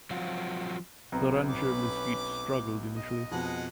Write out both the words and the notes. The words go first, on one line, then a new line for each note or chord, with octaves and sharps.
The Rancho Mesquite struggled initially.
F3 F#3 C4 F4 F#4
B1 B3 C4 A#5
C#4 B4 D6
D#5
F2 B2 G#3 F#5